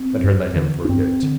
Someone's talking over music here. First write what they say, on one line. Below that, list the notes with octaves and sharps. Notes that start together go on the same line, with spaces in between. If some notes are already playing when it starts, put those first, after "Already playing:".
Better let him forget.
Already playing: C4
G2
D3
D4
G2 C4
D3